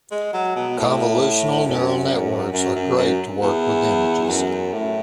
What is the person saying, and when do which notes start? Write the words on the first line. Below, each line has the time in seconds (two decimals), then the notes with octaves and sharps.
Convolutional Neural Networks are great to work with images.
0.11 G#3
0.33 F#3
0.56 B2
0.78 A2
1.66 F#2
2.53 F#2
2.75 F#2
2.97 F#2
3.41 E2
4.29 F#2
4.73 A2